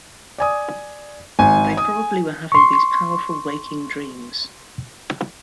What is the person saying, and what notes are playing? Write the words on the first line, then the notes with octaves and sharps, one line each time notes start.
They probably were having these powerful waking dreams.
D5 G#5 D#6
G#1 G#5
D#6
C6 C#6